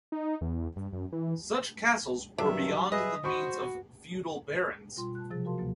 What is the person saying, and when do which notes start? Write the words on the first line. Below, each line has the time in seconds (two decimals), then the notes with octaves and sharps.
Such castles were beyond the means of feudal barons.
0.12 D#4
0.41 E2
0.76 G2
0.92 F#2
1.12 E3
2.38 G2 D#3 F#3 G3 D4 E5
2.92 G#4 B4 D#5 E5
3.24 F#4 C5 B5 C#6
4.97 B2 G3 F4 G5 C6
5.15 A5 F#6
5.31 C3 F3 F#3 G#4 A6
5.45 F#4 A#4 F5 A5 C6
5.58 D2 B2 F#3 A#3